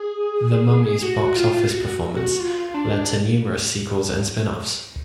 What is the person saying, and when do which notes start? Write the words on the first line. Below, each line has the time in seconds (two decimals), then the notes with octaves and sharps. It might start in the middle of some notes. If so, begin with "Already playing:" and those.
"The Mummy"s box office performance led to numerous sequels and spinoffs.
Already playing: G#4
1.03 F#4
1.36 F4
1.71 F#4
2.16 F#4
2.40 F4
2.74 D4